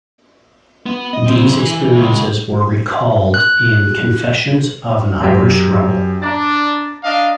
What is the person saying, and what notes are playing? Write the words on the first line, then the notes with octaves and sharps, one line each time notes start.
These experiences were recalled in Confessions of an Irish Rebel.
B3
D#5
F#2 C4
E3
C#2
F#6
F#2 G4
D4 A#5 D6 A6
D4 D#5 F5